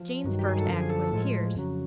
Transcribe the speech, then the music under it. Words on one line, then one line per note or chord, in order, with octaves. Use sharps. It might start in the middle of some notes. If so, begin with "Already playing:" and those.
Jane's first act was tears.
Already playing: F3
G2 D#3 F#3
G4
G#4
A4
F#2 D3 F3 A#4
G#4
A4
A2 F3 G#3
F2 C#3 F#3